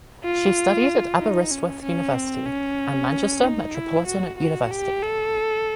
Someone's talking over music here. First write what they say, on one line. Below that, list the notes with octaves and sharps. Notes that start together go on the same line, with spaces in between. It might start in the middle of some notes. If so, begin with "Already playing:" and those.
She studied at Aberystwyth University and Manchester Metropolitan University.
F4
D#4
C#4
C#4
C4
C#4
D#4
E4
F#4
F#4
G4
A4